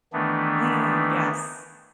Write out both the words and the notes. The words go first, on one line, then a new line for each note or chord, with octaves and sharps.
Mm, yes.
D#3 E3 A3 B3 D4